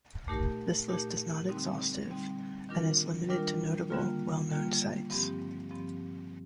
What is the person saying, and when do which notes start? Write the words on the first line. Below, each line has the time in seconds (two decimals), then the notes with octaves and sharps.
This list is not exhaustive, and is limited to notable, well-known sites.
0.28 A#2 A3 D#4 G4 A#4
0.88 A#2 A3 D#4 G4 A#4
1.49 D3 G3 C4 D#4
2.09 D3 G3 C4 D#4
2.69 D#3 G3 D4 F4 A#4
3.29 D#3 G3 D4 F4 A#4
3.90 D3 G3 A#3 F4
4.49 D3 G3 A#3 F4
5.10 G2 F3 C4 G4
5.71 G2 F3 C4 G4